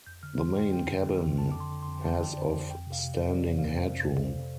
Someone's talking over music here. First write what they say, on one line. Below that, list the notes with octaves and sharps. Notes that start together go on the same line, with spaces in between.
The main cabin has of standing headroom.
F2 G6
D3 F6
D3 C6
F2 G5
F2 G5
D3
D3
F2
F2 A5
D3 D6
C6
D3
C6
F2
F2 A5
D3 G5
D5
D3 C5
F2
F2 G5
C3
F5
C3
D5
F2
C5
F2 D5
C3
F5
C3
C5
F2
F2 A4
C3 C5
C3